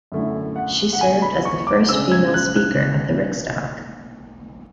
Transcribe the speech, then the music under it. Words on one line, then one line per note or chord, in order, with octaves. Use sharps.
She served as the first female Speaker of the Riksdag.
F#2 D3 A3 E4
F#5
F#5
G#5
B5
C#6
D6
C#3 G#3 D4 E6
G#6
F#6
F#6